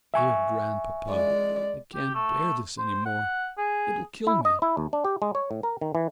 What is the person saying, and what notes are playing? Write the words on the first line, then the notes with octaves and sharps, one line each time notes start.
Dear Grandpapa, I can't bear this any more, it'll kill me...
E5 G#5 C#6
G#3 D5
G4
A3
C5
F#5
G#4
E4
D#5
E4
D#2
D4
G4
G#3
C#5
A2
A#4
D#3
E3